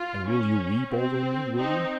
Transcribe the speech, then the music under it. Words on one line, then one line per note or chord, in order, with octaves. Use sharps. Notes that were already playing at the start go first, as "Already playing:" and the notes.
"And will you weep over me, will you?"
Already playing: F4
C#4
C4
C4 D#4